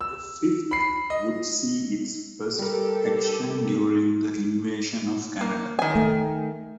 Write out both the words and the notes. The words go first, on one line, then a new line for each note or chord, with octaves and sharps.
The Fifth would see its first action during the Invasion of Canada.
E6
B5 C7
D#5
G3 G4 A4 A#4
A#3
D#3 G#5
A3